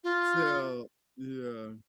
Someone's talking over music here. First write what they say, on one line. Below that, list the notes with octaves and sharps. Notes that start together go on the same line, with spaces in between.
So, yeah.
F4